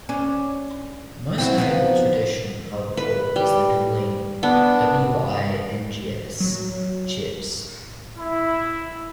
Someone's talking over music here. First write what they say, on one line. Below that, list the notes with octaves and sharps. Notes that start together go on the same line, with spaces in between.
The most notable tradition of all was the dueling "W-I-N-G-S" cheers.
C#4 D4
C4 E4 F#4
F3 B3 D#4
B4
G3
B3 D4
F#3
E4